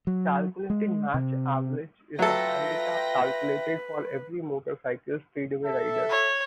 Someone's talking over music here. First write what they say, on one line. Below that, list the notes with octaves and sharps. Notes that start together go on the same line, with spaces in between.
Calculated Match Average is a handicap calculated for every motorcycle speedway rider.
F#3
G#3
C3
F#3 F4 A4 B4 E5 G5 A#6
A4 E5
C#5